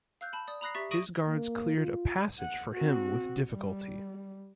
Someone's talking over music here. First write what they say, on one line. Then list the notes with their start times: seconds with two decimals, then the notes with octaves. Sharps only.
His guards cleared a passage for him with difficulty.
0.21 F5 E6 F#6 G6
0.33 A5 B5
0.48 D5 D#6 A6
0.61 A#5 B5 D#6 F#6 A#6 C7
0.75 G4 E5 C#6 A6 B6
0.91 C#6 D#6 A#6 D7 D#7 F#7
1.26 A#3
1.76 F4
2.40 F#5
2.73 C4 F#4
3.51 G3